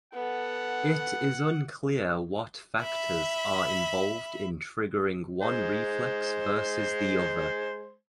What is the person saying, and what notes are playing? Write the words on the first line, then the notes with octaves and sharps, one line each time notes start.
It is unclear what factors are involved in triggering one reflex versus the other.
B3 A4 F#5
E5 B5
G#3 C5